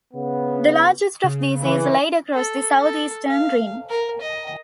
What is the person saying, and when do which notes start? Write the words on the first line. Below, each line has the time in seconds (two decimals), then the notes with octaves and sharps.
The largest of these is laid across the southeastern rim.
0.14 C#3 B3
1.24 C#3
1.64 E3
2.34 A4
2.81 A4
3.27 F5
3.89 A#4
4.21 D#5